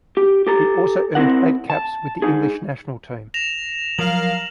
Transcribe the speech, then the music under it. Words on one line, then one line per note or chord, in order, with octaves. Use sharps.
He also earned eight caps with the English national team.
G4
G4 A4 A#5
C4 E4 A#4 F#5
A5
D#4 G#4
A#6 E7 F7
F3 F#3 A#4 F5 F6 F#7